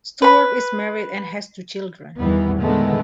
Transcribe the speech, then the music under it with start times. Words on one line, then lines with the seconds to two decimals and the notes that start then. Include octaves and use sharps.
Stewart is married and has two children.
0.22 B4 B5
2.19 E2 D#3 E3 G3 B3
2.58 A#2 D3 D#3 G#3 A3 B3